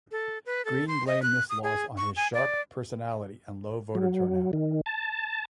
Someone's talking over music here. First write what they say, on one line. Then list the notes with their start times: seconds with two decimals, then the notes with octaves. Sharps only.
Green blamed this loss on his "sharp" personality and low voter turnout.
0.11 A4
0.46 B4
0.65 A4
0.88 C6
1.07 D#5
1.22 F#6
1.50 D#6
1.64 G#4
1.97 C#6
2.16 G#5
2.34 D5
3.95 F#3
4.53 D#3
4.86 A5